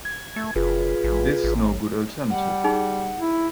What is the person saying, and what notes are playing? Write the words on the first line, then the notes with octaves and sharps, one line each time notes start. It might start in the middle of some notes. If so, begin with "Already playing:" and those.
This no good alternative.
G#6
A3
F#1 F4 G#4 B4
A1
A1
G3 F#5
D#4 G#4
E4